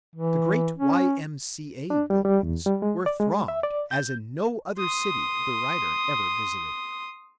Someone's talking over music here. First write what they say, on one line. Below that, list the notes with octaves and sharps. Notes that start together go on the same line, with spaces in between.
The great Y. M. C. A. buildings were thronged as in no other city the writer ever visited.
E3
C#4
D4
G3
G3
E2
G3
G#3
D5
G#3
E5
D5
G6
C6 D#6